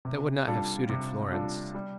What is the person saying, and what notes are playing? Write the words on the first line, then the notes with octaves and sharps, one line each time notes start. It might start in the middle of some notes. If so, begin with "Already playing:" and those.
That would not have suited Florence.
C3
G3 D4 F4 A4
C3
G3 D4 F4 A4
G3